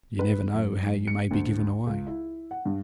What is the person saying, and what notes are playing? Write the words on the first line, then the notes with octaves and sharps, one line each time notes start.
You never know how you may be given away.
B4
F#2
C#7
D2
C#2
E4
F#5
G2